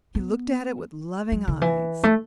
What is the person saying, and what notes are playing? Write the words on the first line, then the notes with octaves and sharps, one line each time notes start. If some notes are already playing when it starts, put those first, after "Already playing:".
He looked at it with loving eyes.
B3
F#3
D3
E3
A3